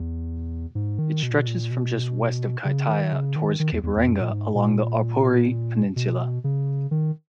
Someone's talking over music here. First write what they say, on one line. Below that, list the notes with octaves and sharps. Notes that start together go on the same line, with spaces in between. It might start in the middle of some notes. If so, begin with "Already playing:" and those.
It stretches from just west of Kaitaia towards Cape Reinga along the Aupouri Peninsula.
Already playing: E2
G#2
D#3
B2
A#2
B2
A#2
B2
C#3
D#3
C#3
D#3
D#3
E2
E2
E2
F#2
A#2
G#2
A#2
B2
C#3
D#3